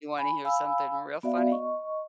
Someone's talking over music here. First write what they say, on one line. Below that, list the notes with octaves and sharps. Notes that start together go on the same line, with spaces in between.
You wanna hear something real funny?
G#5 B5
F5 G#5 B5 E6
B3 F#4 D5 E5 F5
D#5 C#6